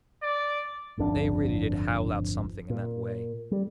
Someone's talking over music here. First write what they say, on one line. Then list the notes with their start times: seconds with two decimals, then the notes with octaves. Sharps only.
They really did howl out something in that way.
0.22 D5
0.97 D1 G1 F2 D4
2.70 A#2
3.51 G3